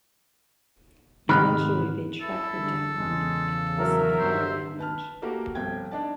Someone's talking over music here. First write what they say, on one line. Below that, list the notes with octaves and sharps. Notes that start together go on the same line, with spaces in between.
Eventually, they track her down at the Sapphire Lounge.
G#2 C3 D#3 B5 F6 F#6
E4 A4
D3 G3 G#4
E2 C#3 G#3
F#3 A#4 E5
G2 C5
B4 A5 F6
A3 A#3 F#4 G4 A#4
G1 C3 F3 G5 G#6
D4 D#4 D5 A5